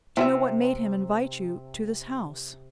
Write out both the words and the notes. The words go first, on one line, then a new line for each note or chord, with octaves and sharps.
"Do you know what made him invite you to this house?"
C3 E4 F#4 E5